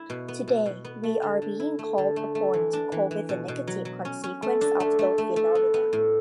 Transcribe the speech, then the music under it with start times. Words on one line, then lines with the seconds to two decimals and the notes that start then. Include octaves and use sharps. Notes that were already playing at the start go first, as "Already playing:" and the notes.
Today we are being called upon to cope with the negative consequences of those phenomena.
Already playing: E4
0.10 B2
0.28 B3
0.48 B2
0.66 B2
0.85 B3
1.03 A3
1.22 D3
1.42 D3
1.60 E4
1.79 A3
1.98 D3
2.16 A3
2.35 A3
2.54 E3
2.73 D4
2.92 E3
3.11 E3
3.29 B2
3.48 B2
3.67 F#3
3.85 F#3
4.05 C#4
4.24 C#4
4.42 A3
4.61 D4
4.80 A3
4.99 A3
5.18 A3
5.36 A3
5.55 B3
5.74 B3
5.93 A2